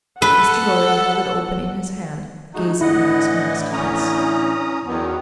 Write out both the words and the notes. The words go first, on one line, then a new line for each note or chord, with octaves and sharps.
Mr. Lorry held it open in his hand, gazing in his earnest face.
A4 B4 F#5
G#2 G#3 A3 D#4 F#4
A2 D3 E3 E4 D#5 F#5
C#4 A#5 D#6
E2 D#3 F#3 B3